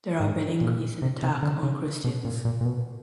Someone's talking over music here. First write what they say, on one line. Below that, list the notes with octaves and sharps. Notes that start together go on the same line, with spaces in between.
There have been increase in attack on Christians.
G#2
A#2
C3
C3
D3
C#3
B2
A#2
A#2
A#2
B2